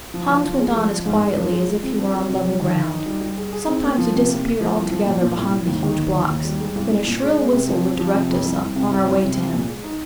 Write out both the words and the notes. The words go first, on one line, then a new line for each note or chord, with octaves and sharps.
Hans went on as quietly as if he were on level ground; sometimes he disappeared altogether behind the huge blocks, then a shrill whistle would direct us on our way to him.
F3
F3
F3
G#3
F3
F3
G#2
G#2
F3
G#3
F3
C4
D4
G3
C3
G3
D#3
D#3
D#4
G3
G3
G#4
G#4
C4
A#3
F3
C3
A#3
A#3
F3
C2
F3
A#2
A#2
C2
C2
D#2
D#3
D#2
D#3
D#2
G3
G#3
C2
C2
A#2
G#3
G#3
C3
F3
C4
F3
C3
F2
C2
C2
C3
C2
C2
C3
F3
A#2
G#3
D#4